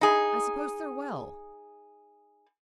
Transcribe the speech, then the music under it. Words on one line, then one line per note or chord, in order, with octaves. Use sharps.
'I suppose they're well.
D#4 G#4